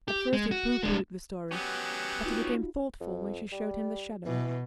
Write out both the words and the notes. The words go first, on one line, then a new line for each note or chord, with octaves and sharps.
At first he pooh-poohed the story, but he became thoughtful when she showed him the shadow.
G4
G#3
F#4
G#3 D4
F#3 B3 C#4 G4
D#4 F4 F#4
F2
G3
B2 E3